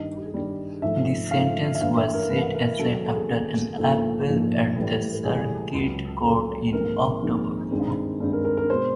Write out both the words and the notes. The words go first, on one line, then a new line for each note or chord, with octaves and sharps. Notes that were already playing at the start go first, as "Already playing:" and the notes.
This sentence was set aside after an appeal at the circuit court in October.
Already playing: G2 D#3 G3 D#5
G2 D#3 G3
G#2 F3 A3 E5
G#2 F3 A3 F5
E5
G2 E3 A3 F5
E5
A#4
G2 E3 A3 B4
A#4
E1 D#2 C#3 F#3 A4
A4
G#4
E1 D#2 C#3 F#3
A#1 G#2 F3 A#3 A4
A#1 G#2 F3 A#3
A2 E3 G3
A2 E3 G3 G#4
C#2 C#3 F#3
C#2 C#3 F#3 A4
A#1 G#2 D#3 G#3 C4 A#4
A#1 G#2 D#3 G#3 C4
G2 D#3 G#3 C4
G2 D#3 G#3 C4
A#4
A#4
A#4
B2 G#3 C5